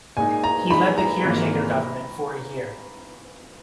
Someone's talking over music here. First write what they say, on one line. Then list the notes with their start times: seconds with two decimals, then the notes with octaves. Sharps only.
He led the caretaker government for a year.
0.17 A#2 G#3 D#4 G#5
0.44 A#5
0.70 A#2 G#3 D#4 B5
0.98 A#5
1.24 G#1 G#2 E3 A#3